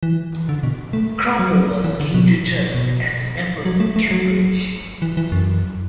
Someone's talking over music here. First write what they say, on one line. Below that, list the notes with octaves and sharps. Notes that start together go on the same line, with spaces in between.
Cromwell was again returned as member for Cambridge.
E3
D3
B2
A3
F#3
E3
D3
B2
B2
F#3
A3
A3
F#3
E3
E3
F#2